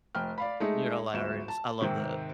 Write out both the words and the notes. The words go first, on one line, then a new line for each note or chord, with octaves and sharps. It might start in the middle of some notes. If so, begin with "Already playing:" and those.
You're hilarious. I love that.
F1 G5 F6
D5 F5 B5
G#3 A3 D#4 G#4
G1 D2 E7
A5
G#2 C3 D#3 C4